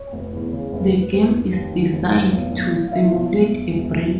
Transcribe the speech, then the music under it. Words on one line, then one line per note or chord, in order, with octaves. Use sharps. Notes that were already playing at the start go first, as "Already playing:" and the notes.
The game is designed to simulate a brick.
Already playing: C#5
F1
E2
C#3
F1
F1
B4
F1 C5
F1
D#2
D#3
F1
F1
B1
B1
A2
F5
E3 E5
B1
B1
E1
E1
D2